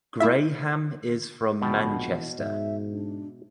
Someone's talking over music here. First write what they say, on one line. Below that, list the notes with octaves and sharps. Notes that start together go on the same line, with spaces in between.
Graham is from Manchester.
A3 E4 F4 E5
A#1 B2 D3 G5 A5
E3
G#2 E5
D4